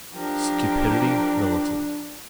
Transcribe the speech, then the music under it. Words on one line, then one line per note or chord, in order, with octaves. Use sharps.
Stupidity militant.
F3 D4 G4 A#4